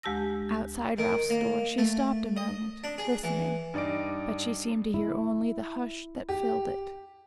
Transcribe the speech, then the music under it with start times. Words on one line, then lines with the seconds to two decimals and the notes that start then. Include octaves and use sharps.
Outside Ralph's door she stopped a moment, listening, but she seemed to hear only the hush that filled it.
0.03 D2 G#3 G4 A5 E6 A#6
0.98 D#3
1.30 A#3
1.78 A3
2.37 D#5
2.84 D4
2.98 G#4
3.24 E3
3.74 G2 D#4 D5 D6 D7
4.94 E4
6.29 G4